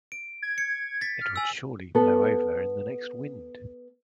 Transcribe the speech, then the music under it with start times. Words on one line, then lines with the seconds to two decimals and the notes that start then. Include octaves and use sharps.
It would surely blow over in the next wind!
0.12 D7
0.42 G#6
0.58 C#7
1.01 A6 B6
1.20 F6
1.36 G#5 E6
1.95 B3 A4